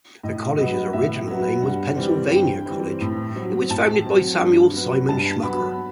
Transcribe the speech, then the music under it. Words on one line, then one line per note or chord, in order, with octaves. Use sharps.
The college's original name was Pennsylvania College; it was founded by Samuel Simon Schmucker.
A2 D#5
F#3 B3 D#5
A2 E5
F#3 B3
G2 F#5
E3 G3 C4
G2 G5
E3 G3 C4
A2
F#3 C4
A2 A5
F#3 C4
G2
F#3 B3
G2 A5
F#3 B3 B5